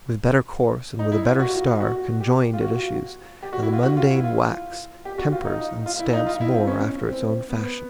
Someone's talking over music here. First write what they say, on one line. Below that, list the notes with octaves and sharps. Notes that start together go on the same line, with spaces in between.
With better course and with a better star Conjoined it issues, and the mundane wax Tempers and stamps more after its own fashion.
D#4
E4
F4
F#4
F#4
G4
F4
F#4
G4
F#4
E4
F4
F#4
F4
E4
F4
G4
F#4
F4
D#4
F4
E4
D#4
F4
E4
C4
C#4
C4
B3